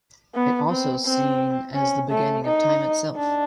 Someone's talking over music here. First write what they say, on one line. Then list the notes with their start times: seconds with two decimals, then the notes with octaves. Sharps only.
It is also seen as the beginning of Time itself.
0.35 B3
0.70 C4
1.05 C4
1.74 C#4
2.11 A3
2.45 D#4
3.15 D4